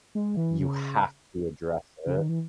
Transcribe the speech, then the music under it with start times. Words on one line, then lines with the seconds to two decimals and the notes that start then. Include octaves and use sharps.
you have to address it.
0.15 G#3
0.37 E3
0.60 C#3
2.06 C#3
2.17 D#3
2.29 E3